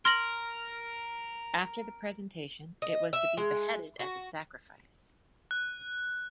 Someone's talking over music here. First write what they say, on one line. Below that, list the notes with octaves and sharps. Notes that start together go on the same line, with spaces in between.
After the presentation, it was to be beheaded as a sacrifice.
A#4 C6 F6 A#6 F#7
D#5
E5
G#3
F#4
F#6